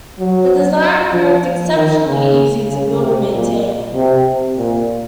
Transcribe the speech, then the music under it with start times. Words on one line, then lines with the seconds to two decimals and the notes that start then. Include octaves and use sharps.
The design proved exceptionally easy to build and maintain.
0.19 F#3
1.13 F3
1.75 D#3
2.07 C#3
2.70 C#3
3.01 C3
3.32 A#2
3.95 C3
4.57 A#2